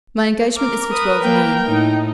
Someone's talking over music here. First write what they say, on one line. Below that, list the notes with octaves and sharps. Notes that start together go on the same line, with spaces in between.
My engagement is for twelve noon.
A#4 D6
B4 D#6
A#3 G5
A2 D#4